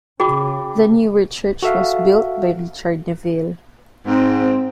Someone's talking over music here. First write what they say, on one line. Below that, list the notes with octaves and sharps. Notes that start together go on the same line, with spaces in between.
The newer church was built by Richard Neville.
C#3 F#4 G#4 G5 B5 D6
F#4 A4 E5 F5
G#2 C4